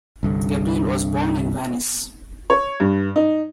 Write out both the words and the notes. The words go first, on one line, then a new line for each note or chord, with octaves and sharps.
Gabrieli was born in Venice.
C2 G2 D3
C#5
G2
D#4